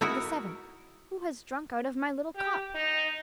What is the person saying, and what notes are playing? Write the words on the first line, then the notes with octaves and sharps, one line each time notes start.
The seventh, "Who has drunk out of my little cup?"
D#4 E4 F#4 A#4
G4
D#4